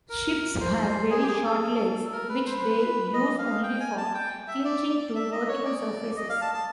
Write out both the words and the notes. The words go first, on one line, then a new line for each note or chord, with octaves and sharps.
Swifts have very short legs which they use only for clinging to vertical surfaces.
A#4
C5
G#4
G4
G#4
A4
A#4
B4
C5
C5
B4
D#5
F5
G5
G#5
A5
G5
E5
D5
D5
E5
D#5
C#5
D5
D#5
F5
A5
A5